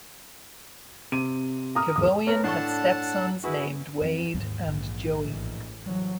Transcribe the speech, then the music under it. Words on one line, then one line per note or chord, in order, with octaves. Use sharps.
Kevoian has stepsons named Wade and Joey.
C3 D#7
A#5 D#6 F6
E1 D#6
B3 A#4 C#5
A2 D4 A4 F#5 A5 C#6
E4 F#4 G#4 B4
F2 F3 C4
D#2 G#2 E3
A#1
A1
E3 F#3 G3